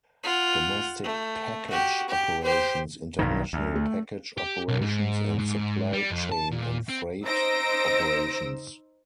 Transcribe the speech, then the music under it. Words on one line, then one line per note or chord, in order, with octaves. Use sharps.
Domestic Package operations, International Package operations, and Supply Chain and Freight operations.
F4 F#5
A3
F#4 G4
G4
G4 C5
B1 G2 D#3
D2
A3
G4
B1
G#2
G#2
G3
F2
A5
A#2
C4
D#4 C5 E6 A#6 D7